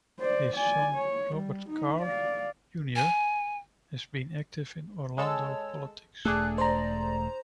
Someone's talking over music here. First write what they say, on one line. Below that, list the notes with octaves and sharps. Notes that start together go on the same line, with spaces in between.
His son, Robert Carr, Junior has been active in Orlando politics.
C5 D5
D5 G#5
C#5
G3
D#4
D5 F5
G#5
G#3 A4 C#5 E6
E1 A3 D4 G#4 A4 F#6
C5 D5 A#5